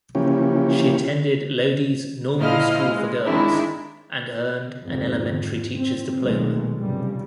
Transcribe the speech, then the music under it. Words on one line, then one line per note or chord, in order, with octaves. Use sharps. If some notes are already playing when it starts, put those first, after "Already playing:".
She attended Lodi's Normal School for Girls and earned an elementary teacher's diploma.
C#3 E3 F3 A#3 C#4 G4
A#2 F3 E4 D#5 F5 F6
G#3
D#3 G#3 C4 D4 E4
F2 G#2 D#3
C4
B1 A#2 D#3 G#3 A3
F1 G2 C#3 G3